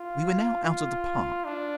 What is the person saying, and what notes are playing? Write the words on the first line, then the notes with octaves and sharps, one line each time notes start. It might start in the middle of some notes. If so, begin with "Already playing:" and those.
We were now out of the park.
Already playing: F4
F4
D4